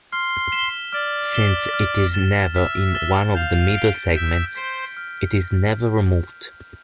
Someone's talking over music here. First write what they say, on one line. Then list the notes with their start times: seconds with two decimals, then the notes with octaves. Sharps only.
Since it is never in one of the middle segments, it is never removed.
0.12 C6 F6
0.52 B6 E7 G7
0.93 D5 F6
1.33 B6 E7 G7
1.74 F6
2.13 A6 E7 G7
2.54 E5 F6
2.95 A6 E7 G7
3.35 F5 G6
3.75 B6 D7 G7
4.16 E5 G6
4.56 C5 B6 D7 G7
4.97 F6